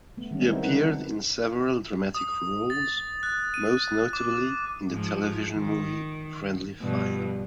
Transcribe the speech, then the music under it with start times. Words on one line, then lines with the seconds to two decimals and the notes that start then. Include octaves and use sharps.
She appeared in several dramatic roles, most notably in the television movie "Friendly Fire".
0.17 A3 B3
0.31 D#3 G3 G#3 C#4
0.46 B3 C4 D#4 E4 A#4 C5
0.63 D3 F3 D4 E4 B4 F#5
2.15 D#6
2.70 A6
3.23 F#6
3.54 D#7
4.13 D6
4.90 G#2 F3
5.53 D#3
6.81 G2 B2 F3